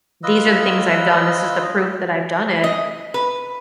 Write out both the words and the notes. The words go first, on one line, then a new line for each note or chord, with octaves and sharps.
these are the things I've done, this is the proof that I've done it."
F4 B4 D#5 E6
D#5
B4